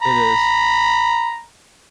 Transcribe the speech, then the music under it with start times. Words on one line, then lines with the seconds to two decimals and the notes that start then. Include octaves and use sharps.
It is.
0.03 A#5 B5